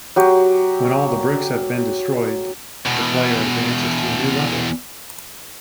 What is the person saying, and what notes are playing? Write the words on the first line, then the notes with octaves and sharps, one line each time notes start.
When all the bricks have been destroyed, the player advances to a new level.
F#3 G4
E2 B2